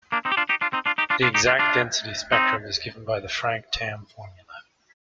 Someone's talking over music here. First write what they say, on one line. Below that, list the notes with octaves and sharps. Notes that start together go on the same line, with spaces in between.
The exact density spectrum is given by the Frank-Tamm formula.
A#3 D4
C4 D#4
G4
D4 F4
D#4 G4
D4 F4
C4 D#4
D4 F4
D#4 G4
D4 F4
D4 F4
D#4 G4
D4 F4
D4 F4
C4 D#4